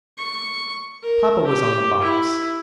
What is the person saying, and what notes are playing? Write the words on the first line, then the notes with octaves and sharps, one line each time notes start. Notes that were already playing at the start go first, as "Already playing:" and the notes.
Papa was on the box.
C#6
A#4
G4
E4